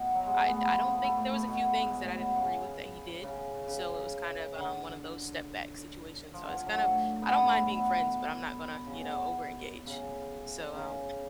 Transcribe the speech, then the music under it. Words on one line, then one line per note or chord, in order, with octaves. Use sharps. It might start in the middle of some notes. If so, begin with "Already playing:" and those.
I d I don't think There was a few things that I didn't agree with that he did. So, it was kind of, um, one of those step back situations, so I was kind of I don't mind being friends, but I'm not gonna, you know, over-engage. So, um
Already playing: B2
F#3
G#3
A3
B3
A3
F3
B3
B3
A3
A3
A3
B2
G#2
A2
B2
C#3
C#3
C#3
D3
F3
D3
F3
F#3
A3
B3
A3
B2
C#3
B2
C#3
C#3